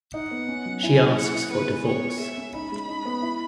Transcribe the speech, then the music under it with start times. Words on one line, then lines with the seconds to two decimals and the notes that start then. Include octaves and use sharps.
She asks for divorce.
0.14 D#4 F#5
0.31 B3
0.48 C#4
0.66 F#3
0.83 E4 G#5
1.00 A#3
1.17 G#4 F#5
1.34 E4
1.51 B3 B4
1.69 G#3
1.86 B3 C#5
2.03 G#3
2.19 G#4 E5
2.38 C#4
2.54 D#4 B5
2.72 G#3
2.88 D#4
3.05 B3
3.22 E4